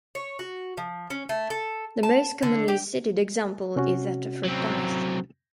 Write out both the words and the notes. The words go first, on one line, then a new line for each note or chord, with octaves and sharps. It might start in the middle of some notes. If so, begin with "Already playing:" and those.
The most commonly cited example is that of reptiles.
C#5
F#4
F3
C#4
A3
A4
A5
D3
G4
C3 C#4 F#4
F#3 C4